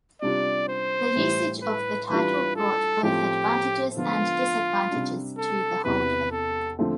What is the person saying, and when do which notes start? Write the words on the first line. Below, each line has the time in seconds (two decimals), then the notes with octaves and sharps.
The usage of the title brought both advantages and disadvantages to the holder.
0.22 C3 G3 D4 F4 D5
0.69 C5
1.16 A2 E3 G3
1.62 B4
2.10 E3 G3 D4 F4 B4
2.57 A4
3.03 A2 F3 A3 C4 G4
3.97 D3 F3 B3 F4
4.91 C3 G3 D4
5.38 A4
5.84 E2 C3 E3 B4
6.31 A4
6.79 D3 F3 A3 C4